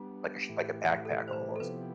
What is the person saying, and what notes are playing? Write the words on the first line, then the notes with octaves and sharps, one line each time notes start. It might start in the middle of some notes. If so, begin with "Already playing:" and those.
like a like a backpack almost.
Already playing: G3 B3 D4 F4
A2 E3 A3 E4 G4
A4
C5
B4
A4
C3 F3 B3 E4 G4 B4